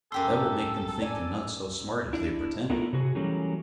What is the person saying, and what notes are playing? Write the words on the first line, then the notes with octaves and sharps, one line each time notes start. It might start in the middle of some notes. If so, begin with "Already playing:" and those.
"That will make them think they're not so smart as they pretend."
F#2 G4 A4 C6 E6
D5 G#5
D4 E4
A3 B3 D4 E4 F4 A#4
C3 F#4 G#4
E3 F#3 G3 A3 A#3 C#4